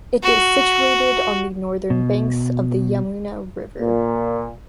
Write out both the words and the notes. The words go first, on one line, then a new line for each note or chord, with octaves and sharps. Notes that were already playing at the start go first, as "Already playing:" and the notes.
It is situated on the northern banks of the Yamuna River.
F#4
B2
A#2